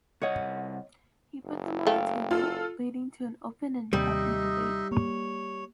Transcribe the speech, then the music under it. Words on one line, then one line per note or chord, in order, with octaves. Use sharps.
He put them on the table, leading to an open and healthy debate.
C2 C#5 D#5 F#5
F#1
A3 F5 G5
F4 A4
D#2 C3 G3 D#4 D#5 E5
A#3 C#5